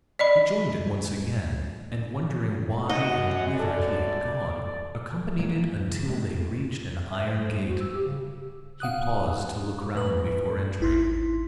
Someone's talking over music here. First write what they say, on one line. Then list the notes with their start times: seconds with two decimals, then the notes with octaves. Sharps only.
He joined it once again, and wondering why and whither he had gone, accompanied it until they reached an iron gate. He paused to look round before entering.
0.19 D5 D#5 B5
2.90 F#2 D#5 F#5
3.55 A4 C5 D5
5.39 A2 F#3 G#3 A#3
5.76 E2 F3
5.89 C#3
6.07 D#1 A#2 G#3 A3
7.10 E5
7.27 C5
7.39 C5
7.55 G3
7.68 F#4
7.80 E6
7.95 G4
8.06 C#3
8.80 F5 F#5 D#6 F#6
9.95 A2 B4
10.80 G#1 E4 C6